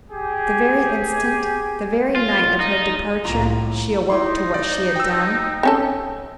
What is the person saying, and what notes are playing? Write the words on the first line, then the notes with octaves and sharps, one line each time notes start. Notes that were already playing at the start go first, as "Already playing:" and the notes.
The very instant--the very night of her departure, she awoke to what she had done.
G4 G#4
F4
D#4
C2 A2 A#3 F4 A#5
D#4 E4 C6
D5
G5 E6
C4 C#4 A4